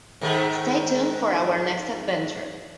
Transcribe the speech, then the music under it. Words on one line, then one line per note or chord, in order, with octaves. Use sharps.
Stay tuned for our next adventure.
G#2 D#3 A3